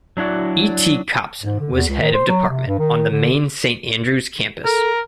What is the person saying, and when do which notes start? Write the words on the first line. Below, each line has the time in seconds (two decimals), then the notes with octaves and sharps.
E. T. Copson was Head of Department, on the main Saint Andrews campus.
0.17 F#3 D4 E4 F#4 D5
1.43 G#2
1.60 D3
1.73 E2
1.88 C#2
2.01 D#3
2.13 C5
2.28 F#3
2.50 C3
2.67 G2
2.79 D#3
3.11 D3
4.64 A4 A#4